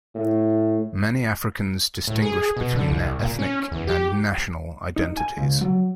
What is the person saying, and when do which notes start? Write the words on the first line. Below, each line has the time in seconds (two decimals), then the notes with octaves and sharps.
Many Africans distinguish between their ethnic and national identities.
0.15 A2
2.08 A2
2.22 G#4
2.57 B2
2.76 D3
2.88 C2
3.19 A#2
3.39 C#4
3.72 E2
3.87 G4
4.96 D#4
5.17 G#5
5.38 C#2
5.61 F#3